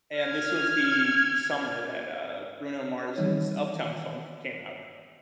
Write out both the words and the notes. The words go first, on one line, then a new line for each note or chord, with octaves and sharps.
and this was the the summer that, uh, Bruno Mars' Uptown Funk came out,
F6 G#6
D#3 E3 G3 D#4 C#5